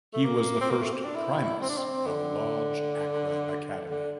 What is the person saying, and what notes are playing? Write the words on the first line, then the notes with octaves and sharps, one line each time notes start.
He was the first "Primus" of Lodge Accra Academy.
A3
A#3
C4
A#3
A3
C4
D4
E4
C4
D4
C4
D3
D3